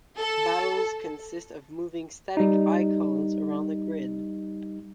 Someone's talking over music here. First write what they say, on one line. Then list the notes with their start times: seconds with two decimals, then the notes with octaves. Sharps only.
Battles consist of moving static icons around a grid.
0.19 A4
2.37 G3 D#4